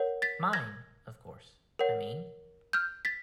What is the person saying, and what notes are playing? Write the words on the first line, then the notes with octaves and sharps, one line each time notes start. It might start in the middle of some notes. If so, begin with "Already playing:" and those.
Mine, of course, I mean.
Already playing: A#4 C#5 F#5
A6 B6
G#6 A#6
A#4 C#5 F#5
F6 G6
A6 B6